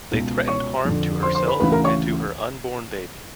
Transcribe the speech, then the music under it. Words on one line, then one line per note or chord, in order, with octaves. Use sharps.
They threatened harm to herself and to her unborn baby.
C#2 B2
C#5 C#6
F2 D3
C5 C6
C5 C6
B4 B5
D2 C#3 E3 B4 B5
A#4 A#5
C#5 C#6